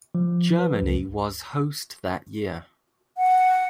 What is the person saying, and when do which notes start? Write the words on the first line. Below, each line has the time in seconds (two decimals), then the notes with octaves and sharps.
Germany was host that year.
0.15 F3
0.59 B4
0.82 C#2
3.17 F#5